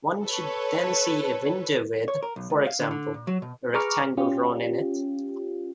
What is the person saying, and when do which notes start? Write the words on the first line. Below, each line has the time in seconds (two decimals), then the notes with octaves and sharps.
One should then see a window with, for example, a rectangle drawn in it.
0.23 A4 B4 C#5
2.08 C#5
2.23 A#4
2.36 B1
2.50 C#2
2.67 F5
2.80 D3
2.91 D3
3.14 A#2
3.27 F#3
3.42 B2
3.74 G#4 B4 A#5 C#6 D6 F6
4.17 C#4 F4 G4